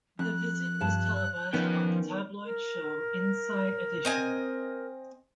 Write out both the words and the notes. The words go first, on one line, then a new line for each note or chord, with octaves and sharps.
The visit was televised on the tabloid show Inside Edition.
F2 F#6
G2 A5
D#3 F3 B3 C#4 G5
A#4
C4 D#5 G#5